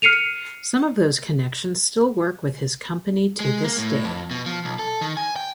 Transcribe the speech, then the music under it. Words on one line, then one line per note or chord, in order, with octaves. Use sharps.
Some of those connections still work with his company to this day.
F6 C7 C#7 D#7 F7
G#3
A#3
A2
F2
B2
F3
B1
A4
D#3
G#5
G5